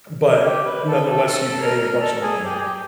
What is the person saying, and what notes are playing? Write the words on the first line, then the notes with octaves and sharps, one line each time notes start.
But nonetheless, you pay a bunch of money
G4
B4
A4
A4
A4
A4
A#4
A#4
A4
G#4
G4
G#4
G4